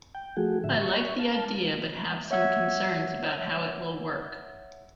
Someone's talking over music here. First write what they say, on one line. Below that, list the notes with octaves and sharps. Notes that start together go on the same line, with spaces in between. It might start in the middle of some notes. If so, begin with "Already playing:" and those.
I like the idea but have some concerns about how it will work.
G5
F3 A3 F#4 G#4
A2 D3 E5
C#6
F5 A5
C#5 E5 F#5 E6 G#6